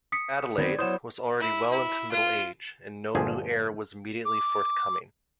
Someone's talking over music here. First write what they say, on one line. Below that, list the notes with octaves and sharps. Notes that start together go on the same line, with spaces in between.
Adelaide was already well into middle age and no new heir was immediately forthcoming.
D#6 B6 C#7
D#3 B3 C4 D5 G#6
F#3 B3 E4 C5 C#5 F#5 D#6 E7
E4
E4
F4
G1 D2 A#2 F3 G#4
D6